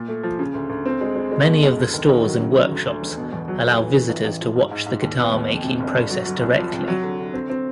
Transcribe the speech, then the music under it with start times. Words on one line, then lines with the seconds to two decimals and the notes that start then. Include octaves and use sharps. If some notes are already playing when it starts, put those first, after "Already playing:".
Many of the stores and workshops allow visitors to watch the guitar-making process directly.
Already playing: A#2
0.08 A3
0.23 F3
0.39 C#3
0.54 D2
0.70 D2
0.85 C4
1.01 G#3
1.16 G#3
1.32 G#3
1.47 B2
1.63 F#1
1.78 D2
1.94 D#3
2.09 D#3
2.24 F#3
2.40 C#3
2.55 F#3
2.71 D2
2.86 D2
3.02 E1
3.17 B2
3.33 E2
3.48 F#3
3.63 A3
3.78 E3
3.95 E3
4.09 A1
4.25 A1
4.40 F3
4.56 G#2
4.71 G#2
4.87 G#2
5.02 D#2
5.18 B3
5.33 D#2
5.48 F2
5.64 C3
5.80 G1
5.95 G1
6.10 F#3
6.25 F#3
6.41 C2
6.56 F3
6.72 C3
6.88 F#3
7.03 D3
7.18 D3
7.34 C4
7.50 C4